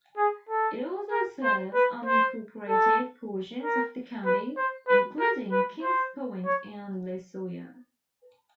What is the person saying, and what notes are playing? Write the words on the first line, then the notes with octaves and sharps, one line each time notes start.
It also serves unincorporated portions of the county, including Kings Point and Losoya.
G#4
A4
A#4
C5
B4
C5
A4
A#4
B4
C5
B4
A#4
B4
C5
C#5